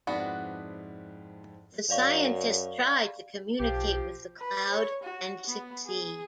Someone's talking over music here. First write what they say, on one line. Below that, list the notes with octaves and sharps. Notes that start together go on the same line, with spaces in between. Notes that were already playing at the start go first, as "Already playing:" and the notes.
The scientists try to communicate with the cloud, and succeed.
F2 G#2 B3 D4 E4 F#4
F#2 D5 F5 C#6
B1 F3 G4 G5
B4
C#5
F#4
B3
G#4